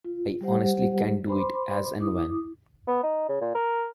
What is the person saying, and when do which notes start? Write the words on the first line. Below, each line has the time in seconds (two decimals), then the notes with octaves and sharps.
I honestly can do it as and when.
0.05 F4
0.41 G3 G4 C5 F#5
1.28 C5 B5 C6 D6
1.99 E4 D6 D#6
2.87 B3
3.03 D#4
3.29 C#3
3.41 A#2
3.55 A#4